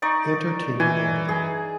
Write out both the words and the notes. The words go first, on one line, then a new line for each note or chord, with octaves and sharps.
Entertainment editor.
D#4 D5 C#6
E3 G#5
G#4